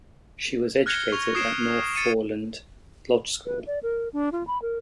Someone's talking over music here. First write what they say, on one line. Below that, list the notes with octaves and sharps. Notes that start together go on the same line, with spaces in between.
She was educated at North Foreland Lodge School.
F6 F#6 G#6 A#6 C#7 G7
C#6 F7
D#6 G#6 C7 D7 E7
A6 C#7 D#7 E7
B4
D5
A#4
D4
F4
B5
A#4